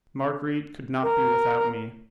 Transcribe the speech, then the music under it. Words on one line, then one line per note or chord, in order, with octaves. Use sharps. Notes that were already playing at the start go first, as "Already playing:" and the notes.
Marguerite could not be without me.
A#4